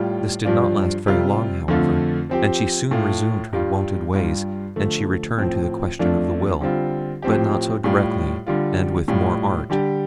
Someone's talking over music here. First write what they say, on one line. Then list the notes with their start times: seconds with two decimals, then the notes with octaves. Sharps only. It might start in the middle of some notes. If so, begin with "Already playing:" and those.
This did not last very long, however, and she soon resumed her wonted ways. And she returned to the question of the will, but not so directly, and with more art.
Already playing: A2 G3 F4
0.44 G2 F3 D4 F4
1.06 C3 G3 F4
1.68 F2 D3 A3 F4
2.30 F3 C4 G4
2.91 A2 A3 F4
3.53 G2 G3 F4
4.14 G2 G3 F4
4.76 D3 F3 A3
5.38 A2 F3 C4
5.99 F2 F3 A3 D4 F4
6.61 D3 G3 C4 F4
7.22 A2 F3 C4 G4
7.84 A2 G3 F4
8.47 D3 G3 F4
9.08 A2 G3 F4
9.70 D3 G3 D4 G4